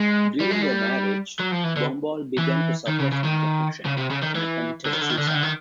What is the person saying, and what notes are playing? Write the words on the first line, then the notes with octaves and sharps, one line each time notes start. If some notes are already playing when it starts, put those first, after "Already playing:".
During their marriage, Bombal began to suffer from depression, and attempted a suicide.
Already playing: G#3
G3
G#3
G3
F#3
F3
E3
D3
E3
D#3
C#3
C#3
D#3
C#3
C3
C#3
D#3
E3
D3
D#3
D3
D#3
D3
D#3
D3
D#3